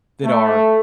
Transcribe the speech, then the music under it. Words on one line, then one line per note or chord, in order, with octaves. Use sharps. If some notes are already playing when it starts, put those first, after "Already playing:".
that are
A3